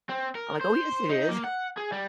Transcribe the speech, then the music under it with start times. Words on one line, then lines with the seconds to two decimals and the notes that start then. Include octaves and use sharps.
I'm like, "Oh, yes, it is."
0.09 C4
0.35 A#4
0.61 C5
1.09 D#4
1.29 A#3
1.45 F#5
1.78 G#4
1.92 G3